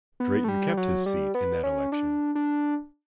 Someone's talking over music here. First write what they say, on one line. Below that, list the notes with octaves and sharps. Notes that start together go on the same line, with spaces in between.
Drayton kept his seat in that election.
B3
A3
G3
F#3
G3
B3
C#4
D4
D4